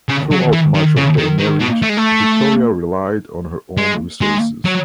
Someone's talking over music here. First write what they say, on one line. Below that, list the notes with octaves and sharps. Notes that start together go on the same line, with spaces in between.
Throughout much of their marriage, Victoria relied on her own resources.
C#3
F#3
E3
D#3
C#3
D#3
D#3
B2
A3
G#3
A3
G#3
G#3
F#3